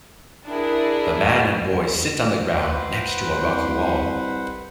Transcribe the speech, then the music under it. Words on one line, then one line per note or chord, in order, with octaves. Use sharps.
The man and boy sit on the ground, next to a rocky wall.
D4 E4 G#4 A#4
B4 C5 F#5
C2